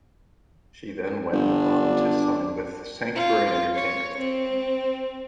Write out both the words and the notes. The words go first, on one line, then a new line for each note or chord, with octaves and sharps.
She then went on to sign with Sanctuary Entertainment.
G1 D4
F4
C#5
C4